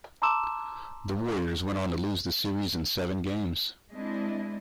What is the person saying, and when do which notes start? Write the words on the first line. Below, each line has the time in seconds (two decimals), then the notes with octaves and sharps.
The Warriors went on to lose the series in seven games.
0.22 A5 A#5 C6 D6 E6 E7
3.92 G#3 C4 D4 E4 D#5